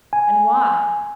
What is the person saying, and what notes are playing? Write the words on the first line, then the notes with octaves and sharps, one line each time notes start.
And why?
G#5